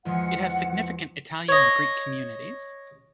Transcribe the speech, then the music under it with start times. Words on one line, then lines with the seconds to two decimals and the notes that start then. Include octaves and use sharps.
It has significant Italian and Greek communities.
0.05 E2 F3 G#3 F#5
1.49 C#5 D#5